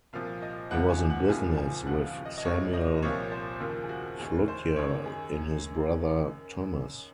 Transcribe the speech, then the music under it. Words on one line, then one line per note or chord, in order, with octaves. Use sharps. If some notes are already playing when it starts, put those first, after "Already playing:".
He was in business with Samuel Fludyer and his brother Thomas.
C2 A#2 F3 F5
D#5
C#2 C3 F3 F#5
G#5
F#5
C2 A#2 F3 G#5
G#5
D#2 C#3 F3 F#5
F5
D#5
D#5
C2 C3 F3 C#5
D#5
C2 A#2 F3 C#5
C5
D#2 C#3 F3 A#4
G#4
F#4
D#2 D#3 G#4
C5
F#2 D#3 C#5
G#4